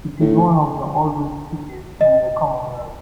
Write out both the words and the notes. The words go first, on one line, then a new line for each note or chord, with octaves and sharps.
It is one of the oldest cities in the Commonwealth.
A2
D#5